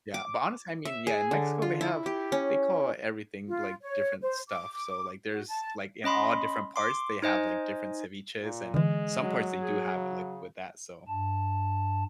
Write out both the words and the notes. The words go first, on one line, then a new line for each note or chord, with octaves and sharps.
yeah, but honest I mean, yeah, in Mexico, they have they call everything, like, different stuff. So, like, there's like, in all different parts, they have, like, different ceviche's, and some parts, they do have it, like, with that, so
D6
E5
G#4
D3
F4
E4
G4
C#4
F4
C#5
C5
D6
F#4
A5
C#4 D#5 B5 C6
C6 D6
D#4 C5 D#5 G#5
A#2
D3 E3 G#3
F#3
G#4
C#3
G2 A5